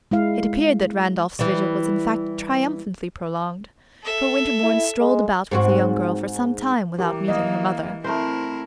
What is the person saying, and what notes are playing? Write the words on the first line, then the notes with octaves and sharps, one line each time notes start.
It appeared that Randolph's vigil was in fact triumphantly prolonged, for Winterbourne strolled about with the young girl for some time without meeting her mother.
G#3 E4 F5
E3 G3
A4 E5
E4
G#3
G#2 C4 F#4
E3 G4 A#4
A#3 D#5
A3 C4 E4 A#4 C5